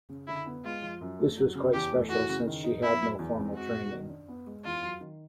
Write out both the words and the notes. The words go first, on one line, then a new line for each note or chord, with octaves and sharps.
This was quite special since she had no formal training.
C#3
D3 E4
B3
G#3 F4
F3
F#2
A3
F#3
C#3
E2 G4
A3
E3 F#4
C#3
D#3
D#4
B3 E4
F#3
E2
C4
G#3 F#4
B2
D#3
D4
B3
G#3
E2 F4
F#3
D#3